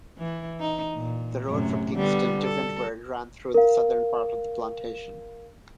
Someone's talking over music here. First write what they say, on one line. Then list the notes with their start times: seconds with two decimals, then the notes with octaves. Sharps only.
The road from Kingston to Windward ran through the southern part of the plantation.
0.18 E3 E4
0.60 D#4
0.95 A#2
1.47 F#2 A2 C3
1.94 D3 G3 B3
2.41 A4
3.54 A#4 F5